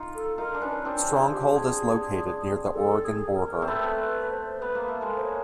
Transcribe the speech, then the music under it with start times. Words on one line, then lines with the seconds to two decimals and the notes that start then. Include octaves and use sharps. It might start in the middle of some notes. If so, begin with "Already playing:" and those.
Stronghold is located near the Oregon border.
Already playing: D#4 F4
0.15 A4
0.38 D#4 F4 A#4
0.54 D4
0.62 C#4 D#4 B4
0.85 C4 D4
1.09 G#4
1.32 G4
1.56 G#4
2.73 A4
3.05 G#4
3.36 A#4
3.62 C4
3.68 A3 B3
3.99 B4
4.30 C5
4.61 B3 B4
4.75 A#3
4.88 A3
5.01 G#3 A#3
5.16 C5
5.24 C#5